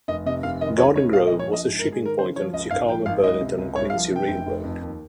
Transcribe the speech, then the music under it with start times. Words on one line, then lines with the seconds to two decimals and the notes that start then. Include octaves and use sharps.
Garden Grove was a shipping point on the Chicago, Burlington and Quincy Railroad.
0.08 F1 D#5
0.26 C3 D#5
0.43 F1 F5
0.61 D#3 D#5
0.78 C#2 C#5
0.95 C#2 C#5
1.13 A#2 F5
1.27 D#5
1.31 F3
1.39 C#5
1.48 A#1 D#5
1.66 G#2
1.79 A#4
1.84 G#2
1.92 G#4
2.02 D#3 A#4
2.18 C#3 C5
2.36 F3 C#5
2.53 C#2 D#5
2.71 G#1 F5
2.89 F3 G5
3.06 G#1 F5
3.23 C#2 D#5
3.41 C3
3.58 C#2
3.76 C2 C#5
3.90 F5
3.93 F3
4.11 C3 G5
4.28 F1
4.46 F1
4.63 F2
4.81 D#2